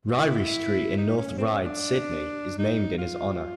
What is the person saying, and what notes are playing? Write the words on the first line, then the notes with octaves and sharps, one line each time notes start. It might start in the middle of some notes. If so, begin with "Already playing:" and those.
Ryrie Street in North Ryde, Sydney is named in his honour.
E4
D#4
C#4
C4
C#4
D4
D#4
F4